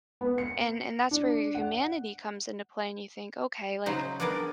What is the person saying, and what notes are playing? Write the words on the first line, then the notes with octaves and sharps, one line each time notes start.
and and that's where your humanity comes into play, and you think, "Okay, like,
B3
C#7
D4
F#5
C#3 F#3 D#4 C5
G3 B3 D4 G#4 A#4 D5